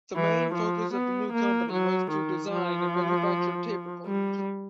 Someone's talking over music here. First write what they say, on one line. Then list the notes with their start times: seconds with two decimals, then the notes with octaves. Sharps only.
The main focus of the new company was to design and manufacture tape recorders.
0.15 E3
0.54 F3
0.94 B3
1.33 A#3
1.72 F#3
2.11 D#3
2.50 F3
4.07 G3